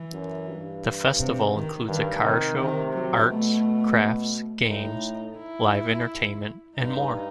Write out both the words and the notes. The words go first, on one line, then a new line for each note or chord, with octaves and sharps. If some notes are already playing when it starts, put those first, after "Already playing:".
The festival includes a car show, arts, crafts, games, live entertainment and more.
Already playing: E3
F#2
G2
C3
D#3
G2 D#3
C3 D#3
C3 D#3
F#3
B2 A3
A2 D#4
E4
G2 D#4